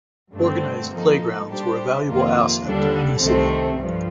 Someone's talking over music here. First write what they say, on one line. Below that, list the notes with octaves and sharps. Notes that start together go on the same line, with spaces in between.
Organized playgrounds were a valuable asset to any city.
G2 D3 A3 C4
F3 A#3 D#4 A4
G3 D4 G4 C5
F2 C3 D#3 A#3 F4
D#2 D3 G3 D4 A4
C2 C3 D#3 A3 C4
G2 F3